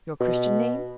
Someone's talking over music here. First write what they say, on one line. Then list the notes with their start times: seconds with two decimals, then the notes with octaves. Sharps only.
"Your Christian name?"
0.21 B2